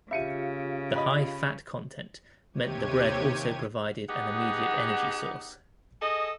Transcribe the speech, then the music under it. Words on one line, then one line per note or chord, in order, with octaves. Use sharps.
The high fat content meant the bread also provided an immediate energy source.
C#3 F4 G4 E5 F5 C#7 D#7
D#5 B5
D#2 C3 G4 C#5 G#6 D#7
B3 D#4 G4 G#4 F#5
G#4 A4 D#5